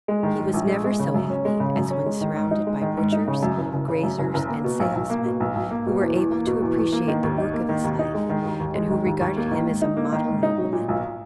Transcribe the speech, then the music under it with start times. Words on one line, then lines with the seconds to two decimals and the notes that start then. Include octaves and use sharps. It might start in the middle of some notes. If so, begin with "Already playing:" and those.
He was never so happy as when surrounded by butchers, graziers, and salesmen who were able to appreciate the work of his life, and who regarded him as a model nobleman.
0.08 G#3
0.23 D#3
0.38 G#2
0.54 A#1
0.69 G#3
0.84 G#3
0.99 C#3
1.14 F#2
1.30 C#4
1.45 G#3
1.60 C#3
1.76 F#2
1.91 C#4
2.06 G#3
2.21 D#3
2.36 G#2
2.51 D#4
2.67 G#3
2.82 D#3
2.97 G#2
3.12 D#4
3.28 C#3
3.43 F#2
3.58 F#1
3.73 F#1
3.88 C#3
4.03 F#2
4.19 F#1
4.34 F#1
4.49 A#3
4.64 B2
4.80 B1
4.95 B1
5.10 A#3
5.25 B2
5.40 B1
5.55 B1
5.71 A#3
5.86 B2
6.01 E2
6.17 E2
6.32 A#3
6.47 B2
6.62 E2
6.77 E2
6.92 A#3
7.08 D#3
7.23 D#2
7.38 D#4
7.54 A#3
7.69 D#3
7.84 D#2
7.99 D#4
8.15 G#3
8.30 D#3
8.45 D#2
8.60 D#2
8.75 G#3
8.91 D#3
9.06 D#2
9.21 D#2
9.37 A#3
9.51 D#3
9.67 G#2
9.82 D#4
9.97 A#3
10.13 D#3
10.28 G#2
10.43 D#4
10.58 F#3
10.73 A#2
10.88 B1